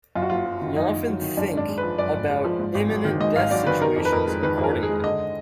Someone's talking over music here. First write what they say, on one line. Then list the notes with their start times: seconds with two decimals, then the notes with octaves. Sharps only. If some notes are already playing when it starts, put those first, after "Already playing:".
He often think "about imminent death situations," accordingly.
0.15 F#2 F4
0.22 F#4
0.30 F#1 F4
0.46 F#3
0.62 D#3
0.76 F#2 D#4
0.92 F#1
1.07 F#3
1.22 D#3
1.37 F#2 D4
1.53 G#1 D4
1.68 G#3
1.78 B4
1.83 F3
1.98 F#2 D5
2.14 G#1
2.30 G#3
2.45 F3
2.59 G#2
2.75 G#1
2.90 F#3
3.05 D#3
3.20 G#2 D#5
3.36 G#1 F5
3.51 F#3 D5
3.67 D#3 B4
3.81 D#3 A#4
3.96 F2
4.05 B4
4.12 F2 A#4
4.27 G#3
4.43 D#3 B4
4.58 F2
4.64 A#4
4.73 F2
4.83 G#4
4.89 G#3
5.04 D3 D#5